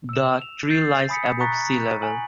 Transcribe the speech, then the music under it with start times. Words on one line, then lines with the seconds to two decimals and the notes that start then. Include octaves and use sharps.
The tree lies above sea level.
0.09 E6 E7
0.42 F7
0.70 G6 A6 C7
1.09 G#5 B5 D#6 B6 C#7
1.40 A#5 C#6 F#6 A6 B6
2.02 G#5 F#7